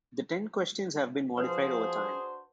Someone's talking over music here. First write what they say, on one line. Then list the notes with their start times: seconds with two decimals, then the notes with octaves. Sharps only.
The ten questions have been modified over time.
1.38 F3 D4 F#4 G#4 B4 C5